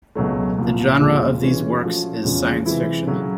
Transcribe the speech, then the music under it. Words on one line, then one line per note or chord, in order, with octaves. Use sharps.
The genre of these works is science fiction.
C#2 B2 F#3 A3
C2 A#2 F3
D#2 C#3 F3 G#3
E3 G#3 C#4
F3 A3 C#4 F#4
E2 C#3 F3 G#3 C#4
C3 E3 G#3 C4 E4
C#3 F#3 A3